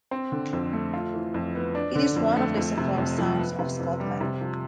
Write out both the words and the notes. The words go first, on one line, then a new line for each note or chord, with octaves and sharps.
It is one of the several Sounds of Scotland.
C4
D3
F2
A3
F4
E3
F2
B3
D4
D3
F2
A3
F2
C3
F2
F3
B3
C3
F2
G3
C3
F3